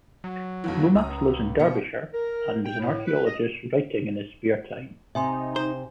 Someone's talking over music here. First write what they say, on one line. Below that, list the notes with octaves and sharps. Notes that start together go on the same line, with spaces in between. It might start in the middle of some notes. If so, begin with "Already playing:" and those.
Lomax lives in Derbyshire and is an archaeologist, writing in his spare time.
F#3
B1 F2 E3
C#2 A#5 D#6 E6
B2 B3 C#7
A#4
G5
A2
B4
D#5
C3 D#4 E5 G#5 C6
C5